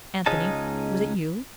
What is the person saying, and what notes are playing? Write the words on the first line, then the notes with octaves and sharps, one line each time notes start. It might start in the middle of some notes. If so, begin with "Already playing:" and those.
"Anthony, was it you?"
C#2 G#3 C#4 D#4 A5